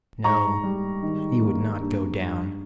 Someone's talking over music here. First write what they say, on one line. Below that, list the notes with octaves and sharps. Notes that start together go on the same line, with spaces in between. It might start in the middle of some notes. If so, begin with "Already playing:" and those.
No, he would not go down.
G#2 A#5 C#6
G3
D#3
A#3
G2
G2